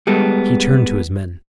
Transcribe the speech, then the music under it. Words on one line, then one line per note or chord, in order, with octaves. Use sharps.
He turned to his men.
G3 G#3 B3 A4